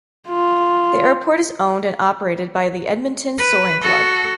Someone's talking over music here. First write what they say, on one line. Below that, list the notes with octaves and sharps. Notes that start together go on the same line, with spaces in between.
The airport is owned and operated by the Edmonton Soaring Club.
F4
B4
F#4 A4